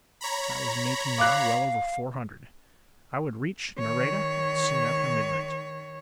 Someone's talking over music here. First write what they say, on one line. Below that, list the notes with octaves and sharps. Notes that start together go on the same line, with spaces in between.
I was making now well over four hundred; I would reach Nareda soon after midnight.
C#5 A#5 B5
F5 D6 F#6
D#3 C#5